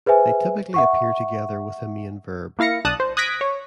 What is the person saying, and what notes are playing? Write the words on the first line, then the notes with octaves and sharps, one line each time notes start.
They typically appear together with a main verb.
G#4 B4 C5 E5 G#5
E5 F#5 C#6
A#3 E4 F5 A#6 C#7
B1 D4 A5 D#6 F#6
C5
D#6 F#6 G#6 A#6 B6 D7
C#5